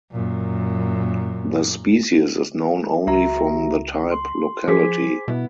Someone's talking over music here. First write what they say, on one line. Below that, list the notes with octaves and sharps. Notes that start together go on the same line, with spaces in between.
The species is known only from the type locality.
F#2 A#2
C#2 F#4 E5 A#5
C6
F3 G#4 C5 D6 B6
B2 B3 E4